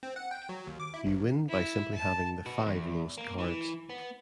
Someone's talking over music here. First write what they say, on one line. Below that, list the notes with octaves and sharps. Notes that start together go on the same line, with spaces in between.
You win by simply having the five lowest cards.
C4
F#5
G5
F#3
D#2
D6
E4
G#1
E4
A5
F#4 B4
E2
A#3
E3
B3